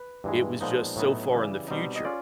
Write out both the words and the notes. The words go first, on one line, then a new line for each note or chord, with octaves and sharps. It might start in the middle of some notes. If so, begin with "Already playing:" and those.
It was just so far in the future
Already playing: B4
G2 E3 G#3
A#2 F3 G#3 B3 D#4
A2 F#3 B3 D#4
C#3 E3 G3
B2 G3 C4 D#4
D#5
C#4 F4 D5